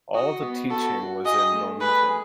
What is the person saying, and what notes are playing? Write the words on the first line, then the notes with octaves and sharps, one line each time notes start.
All the teaching was in Norwegian.
F#4 D#5
B3
F#4 A4
F#4
G#4 D#5
A3
G#4 B4
G#4